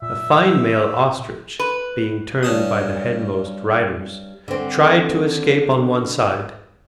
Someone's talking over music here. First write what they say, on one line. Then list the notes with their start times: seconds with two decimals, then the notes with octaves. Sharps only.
A fine male ostrich being turned by the headmost riders, tried to escape on one side.
0.02 A#2 E5
1.59 B4
2.43 G2 C#4 A5 D#6
4.48 D3 C4